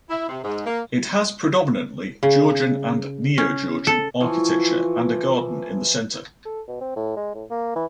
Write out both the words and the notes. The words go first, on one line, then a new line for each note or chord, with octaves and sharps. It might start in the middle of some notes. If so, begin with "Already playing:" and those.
It has predominantly Georgian and Neo-Georgian architecture and a garden in the centre.
E4
C3
G#2
A#3
C#3
C#4
A4
E3 F3 G#5 C#6
A4
B2
C4
A2
G#3
A2
A#3
E3